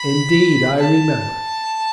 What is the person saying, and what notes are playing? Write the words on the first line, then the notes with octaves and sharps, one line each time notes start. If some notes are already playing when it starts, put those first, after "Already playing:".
"Indeed I remember."
Already playing: B5
A5